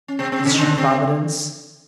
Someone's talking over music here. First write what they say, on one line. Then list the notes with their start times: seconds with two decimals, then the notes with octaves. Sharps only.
Is she Providence?
0.08 C#4
0.19 C3 C4
0.32 C3 C4
0.45 C#3 C#4
0.53 D#4
0.58 D3 D4
0.78 C3 C4